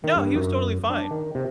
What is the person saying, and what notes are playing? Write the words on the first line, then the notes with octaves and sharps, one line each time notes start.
No, he was totally fine.
D#3
G2
F#2
D4
D#3
C3